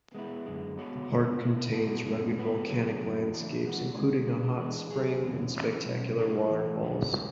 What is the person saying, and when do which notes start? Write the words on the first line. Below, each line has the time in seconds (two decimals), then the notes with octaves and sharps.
The park contains rugged volcanic landscapes including a hot spring and spectacular waterfalls.
0.15 G#3 B3 E4
0.46 F#2 D3 G#3
0.77 G#3 B3 F#4 C#5
1.10 G#3 B3 D4
1.42 B2 A3 E4
1.72 F#3 B3 F#4 A4
2.04 F#2 C#3 G#3 B3 D4
2.36 G#2 G#3 B3 F#4 B4
2.68 F#3 B3 D4 G#4 C#5
3.00 F#2 C#3 F#3
3.32 A2 E3 A3 D4
3.64 E3 G#3 B3 F#4
3.96 D3 G#3 C#4
4.27 G#3 D4 G#4 B4
4.59 E3 G#3 D4
4.91 F#3 C#4 G#4
5.22 E2 D3 F#3 A3 C#4
5.54 E3 A3 C#4
5.86 B2 F#3 C#4
6.17 F#3 A3 D4 G#4 C#5
6.50 A2 E3 A3
6.81 E2 D3 A3 D4
7.13 C#3 G#3 C#4